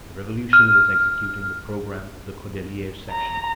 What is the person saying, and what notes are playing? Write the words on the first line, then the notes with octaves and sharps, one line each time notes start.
The Revolution was executing the programme of the Cordeliers' section.
F6
A#5